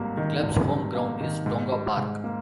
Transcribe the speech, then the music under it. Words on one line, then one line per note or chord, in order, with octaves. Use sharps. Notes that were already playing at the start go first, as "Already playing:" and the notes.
The club's home ground is Tonga Park.
Already playing: G#1 G2 A#3
D#3
G#1
G2
A#3
D#3
G#2
G3
G#2
A#3